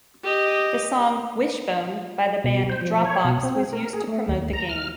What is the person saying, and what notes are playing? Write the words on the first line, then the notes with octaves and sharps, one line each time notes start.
The song "Wishbone" by the band Dropbox was used to promote the game.
G4 D#5
B2
C5
F3
C#5
B2
C4
A#4
G#4
A3
D#2
A#5
F6